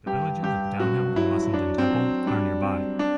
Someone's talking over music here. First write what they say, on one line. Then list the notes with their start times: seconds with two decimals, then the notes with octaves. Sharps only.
The villages of Downhill and Mussenden Temple are nearby.
0.06 G2 G4
0.43 G2 G4
0.80 F#2 F#4
1.16 F#3 E4
1.53 F#3 D4
1.78 C4
1.90 F#3
2.26 G3 D4
2.63 C4
2.99 D4